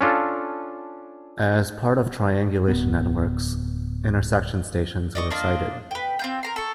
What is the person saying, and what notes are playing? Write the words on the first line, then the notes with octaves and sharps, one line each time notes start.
As part of triangulation networks, intersection stations were sighted.
C#4 D4 F4 A4
D1 B3
D5 D#5 C#6
A#3 D4 F4 D#5
B4 G5
C4 F4 G6
A#4 A#5 C6
A4 C#6